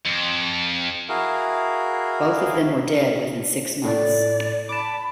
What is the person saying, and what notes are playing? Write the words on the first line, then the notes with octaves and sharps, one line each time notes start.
Both of them were dead within six months.
F2
E4 F#4 G#4 A#4 F5
A2 D5
A5 B5 D6